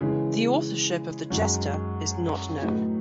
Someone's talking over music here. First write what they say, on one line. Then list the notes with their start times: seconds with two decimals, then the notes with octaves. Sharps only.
The authorship of the "Gesta "is not known.
0.01 C#3 E3 G#3
1.30 F#2 D#3 G#3
2.62 A2 F#3 B3 D#4